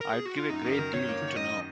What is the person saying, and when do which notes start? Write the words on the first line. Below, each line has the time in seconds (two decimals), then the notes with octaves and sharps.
I’d give a great deal to know.
0.01 A#4
0.13 G#4
0.26 F#4
0.37 F4
0.50 F#2 D#4
0.64 F#2
0.72 A#4
0.79 D#3
0.94 D#3 C#5
1.08 A#3
1.22 D#3
1.36 F#2 D#5